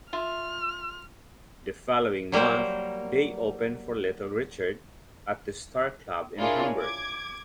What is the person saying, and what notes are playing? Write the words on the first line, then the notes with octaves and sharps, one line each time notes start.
The following month, they opened for Little Richard at the Star Club in Hamburg.
F4 E5 F6
F#3 G3 A#3 A#4 C5
D4 E4 F4 G#4 A#4 C#5
D6 G#6